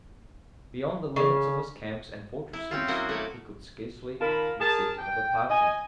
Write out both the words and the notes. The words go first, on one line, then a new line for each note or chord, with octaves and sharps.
Beyond the limits of his camps and fortresses he could scarcely be said to have a party.
C#3
E4
C4 C#4 F4
F#3 A#3 E4 F#4 D#5
A3 C#5 D5
D#3 F4 A#4 A5 B5
G#4 A#4 A5
G5
D#5 G#5